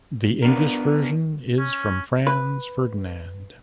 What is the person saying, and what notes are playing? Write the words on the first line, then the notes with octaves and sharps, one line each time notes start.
The English version is from "Franz Ferdinand".
B3 D4 A#4
C#4
B4